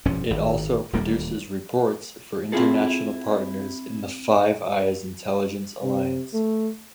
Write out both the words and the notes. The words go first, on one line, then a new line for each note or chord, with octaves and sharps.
It also produces reports for international partners in the Five Eyes intelligence alliance.
E1 G2 F3 C#4
G#1
D#1 D2 G3 A#3
C4 E4 F4 G#4 A4
C3
A3